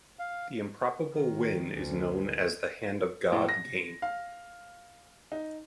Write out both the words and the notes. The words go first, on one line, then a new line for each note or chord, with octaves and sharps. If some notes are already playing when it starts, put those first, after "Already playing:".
The improbable win is known as the "Hand of God" game.
F5
D#3
D2
A2
A#6
F5
D#4